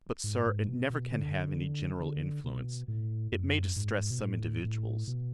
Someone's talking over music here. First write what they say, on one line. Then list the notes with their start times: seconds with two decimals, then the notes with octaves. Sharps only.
But, Sir, it never can have any general influence; it may distress some individuals.
0.24 G#2
0.46 G#2
0.68 B2
0.90 B2
1.12 D3
2.00 D3
2.44 B2
2.88 A2
3.32 F#2
3.76 G#2
4.11 B2
4.20 A2
4.64 A2
5.07 B2